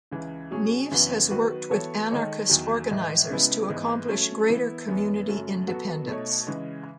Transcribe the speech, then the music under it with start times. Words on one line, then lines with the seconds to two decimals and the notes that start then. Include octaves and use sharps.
Nieves has worked with "anarchist organizers" to accomplish greater community independence.
0.12 C#2 C#3 E3
0.51 B2 F#3 C#4 G#4
0.91 F#2 C#3 E3 B3 F#4
1.30 D#3 F#3 B3 F#4 B4
1.71 E3 B3 F#4 A4 C#5
2.11 D#3 G#3 D#4 A4 C#5
2.49 E2 D#3 F#3
2.90 A2 E3 G#3 D#4
3.29 C#2 C#3 G#3 B3 E4
3.69 G#2 E3 G#3 B3
4.09 F#3 A3 C#4
4.49 E3 B3 E4
4.88 F#2 E3 B3
5.28 F#2 C#3 F#3 A3
5.67 F#3 B3 F#4 A4
6.08 B2 A3 D#4 A4 C#5
6.47 C#3 E3 G#3